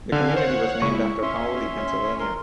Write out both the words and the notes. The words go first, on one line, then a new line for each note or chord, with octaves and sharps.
The community was named after Paoli, Pennsylvania.
D3 F5 G#5
C5 C#5 F5 F#5
C#3 G#3 E4 C#6
C#4 E5 C6
A#4 C6